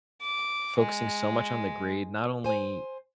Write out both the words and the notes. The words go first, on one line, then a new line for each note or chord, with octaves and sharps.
focusing so much on the grade not only
D6
G#3
C5 G#5